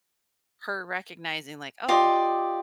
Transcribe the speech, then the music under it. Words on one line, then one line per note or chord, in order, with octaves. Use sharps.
her recognizing, like, "Oh,
F4 G4 D5 D#5